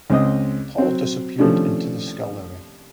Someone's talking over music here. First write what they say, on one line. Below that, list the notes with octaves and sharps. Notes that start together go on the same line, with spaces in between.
Paul disappeared into the scullery.
C#2 C4 D#5 D#6
F#3 C4
C3 D#3 F3 A3 C#4 D4